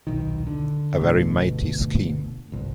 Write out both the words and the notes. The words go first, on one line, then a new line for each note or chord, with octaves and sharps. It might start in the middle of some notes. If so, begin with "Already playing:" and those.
A very matey scheme.
D#1 B1 D#3
D3
G1 D2 B2 A3
G1 C2